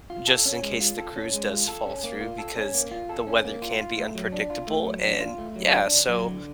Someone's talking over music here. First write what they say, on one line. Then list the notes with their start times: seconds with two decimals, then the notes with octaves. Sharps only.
just in case the cruise does fall through because the weather can be unpredictable, and Yeah, so
0.10 F4
0.27 A4
0.45 C#4
0.62 G#3
0.80 F4
0.98 A4
1.16 C#4
1.33 G#3
1.51 F4
1.68 A4
1.86 C#4
2.04 A#3
2.21 F4
2.38 A4
2.57 C#4
2.74 A#3
2.91 F4
3.09 A4
3.27 C#4
3.45 A#3
3.62 F4
3.79 F4
3.97 A3
4.15 F#3
4.32 D4
4.50 F4
4.67 A3
4.85 F#3
5.03 D4
5.21 F4
5.38 A3
5.56 F#3
5.74 D4
5.91 D3
6.08 F#3
6.26 D3